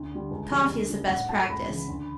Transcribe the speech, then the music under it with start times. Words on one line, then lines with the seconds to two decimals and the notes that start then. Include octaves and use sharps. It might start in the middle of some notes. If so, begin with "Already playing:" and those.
Coffee is the best practice.
Already playing: D2
0.11 D3 G3
0.30 C#2
0.50 C#3 E3 G3
0.70 D2
0.90 C#3 G3
1.09 A2 F#5
1.29 F#3 A3 A5
1.49 C#2 B5
1.68 C#3 E3
1.88 D2